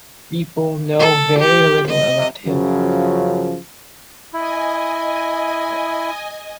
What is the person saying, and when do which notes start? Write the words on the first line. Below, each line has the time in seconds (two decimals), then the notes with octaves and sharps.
People know very little about him.
0.99 A4
1.39 G4
1.88 D#5
2.46 F#2 C#3 F3
4.33 E4 D#5 G#5